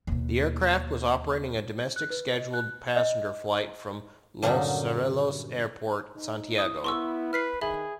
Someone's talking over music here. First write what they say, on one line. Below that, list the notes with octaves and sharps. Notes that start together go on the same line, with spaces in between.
The aircraft was operating a domestic scheduled passenger flight from Los Cerrillos Airport, Santiago.
D#2 B2
F#6
B4
D#5
F#6
D#5
G2 A#2 D3 F#3 C#4 D#4
D#4
E4 D#6 D#7
B3 E4 C6 C#6 E6
B4 F6 B6 C7
D#3 G#4 E5 B5